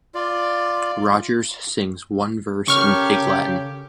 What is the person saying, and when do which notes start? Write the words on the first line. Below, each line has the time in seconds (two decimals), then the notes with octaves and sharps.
Rogers sings one verse in Pig Latin.
0.14 F4 D5
2.68 C#3 G4 A4 A#4 C#5 C#6 F6